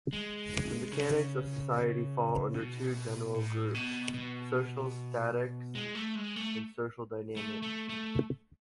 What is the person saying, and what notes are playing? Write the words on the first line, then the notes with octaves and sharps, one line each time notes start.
The mechanics of society fall under two general groups: social statics and social dynamics.
G#3
C#3
B2
A2
B2
B2
G#3
A3
G#3
A3
A3
A3
A3